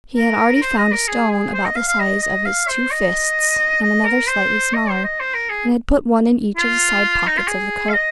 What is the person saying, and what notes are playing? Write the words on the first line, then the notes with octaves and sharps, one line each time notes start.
He had already found a stone about the size of his two fists, and another slightly smaller, and had put one in each of the side pockets of the coat.
A#4
A#4
C5
D#5
A#4
G#4
G#4
C5
D#5
F5
F5
D#5
D#5
F5
C5
D#5
D#5
A#4
C5
D#5
C5
D#5
C5
A#4
G#4
F4
D#4
F4
G#4
F5
D#5